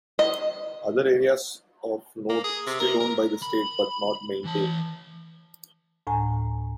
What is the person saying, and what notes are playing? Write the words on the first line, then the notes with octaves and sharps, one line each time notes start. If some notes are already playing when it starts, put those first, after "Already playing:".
Other areas of note still owned by the state but not maintained.
D#5
A#3
G#4
C3
A#4
A#4
B5
E3 A5
D2 A2 G#5 A#5